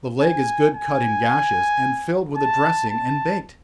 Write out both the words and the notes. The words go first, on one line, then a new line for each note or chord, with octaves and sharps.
The leg is good cut in gashes, and filled with a dressing, and baked.
G#5
G#5
A5
A5